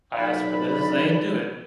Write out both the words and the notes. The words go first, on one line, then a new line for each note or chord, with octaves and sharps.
asked for this, they didn't do it.
B1 D5 B5